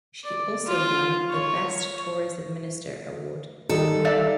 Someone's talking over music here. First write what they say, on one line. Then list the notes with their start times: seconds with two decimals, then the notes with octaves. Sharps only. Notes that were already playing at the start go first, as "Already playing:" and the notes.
She also won the "Best Tourism Minister" award.
0.24 D5
0.66 F4
1.30 C#5
3.69 D#3 G3 D#4 A4
4.05 D5 E5 F5